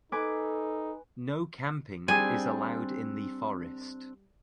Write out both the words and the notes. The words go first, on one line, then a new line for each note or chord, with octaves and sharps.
No camping is allowed in the forest.
D#4 A4 B4 G#5 D6
G3 C4 D4 G#4 G5 G#5